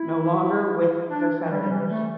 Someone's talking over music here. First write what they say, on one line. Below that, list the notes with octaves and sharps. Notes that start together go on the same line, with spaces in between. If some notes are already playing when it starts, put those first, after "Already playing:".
No longer with the Senators.
Already playing: E4
D4
E3
G3
G3
E3
A3